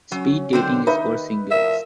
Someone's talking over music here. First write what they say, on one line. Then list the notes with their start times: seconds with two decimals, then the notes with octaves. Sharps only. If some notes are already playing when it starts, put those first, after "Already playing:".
Speed dating is for singles.
0.12 F#3 C#4
0.53 D3 D#3 F#3 C4 C5
0.87 D#2 D#3 D#4 B4 E5 B5
1.51 A2 F3 A#4 E5